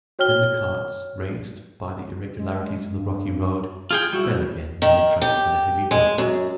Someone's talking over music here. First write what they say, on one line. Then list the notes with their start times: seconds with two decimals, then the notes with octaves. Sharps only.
Then the carts, raised by the irregularities of the rocky road, fell again in the track with a heavy jolt.
0.19 F#4 C#5 G5 F6 G7
2.38 G#3
2.88 G2
3.91 F4 G#4 G5
4.13 G3 E4 F#4
4.82 D#3
5.22 G4
5.91 G#3
6.18 F#2